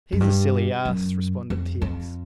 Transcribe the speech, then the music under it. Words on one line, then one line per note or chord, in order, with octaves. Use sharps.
"He's a silly ass," responded T. X.
F#2
G2
F#2
F2
F2